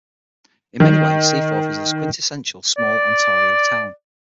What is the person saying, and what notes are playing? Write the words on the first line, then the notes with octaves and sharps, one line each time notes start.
In many ways, Seaforth is the quintessential small Ontario town.
D#3
D5